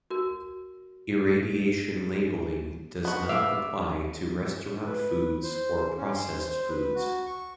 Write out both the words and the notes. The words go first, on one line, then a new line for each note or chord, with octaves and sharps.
Irradiation labeling does not apply to restaurant foods or processed foods.
F#4 A#4
B3 F#4
E5 F5 D6
B4
C5
C#4
C6
C5
B4
F#4
C#6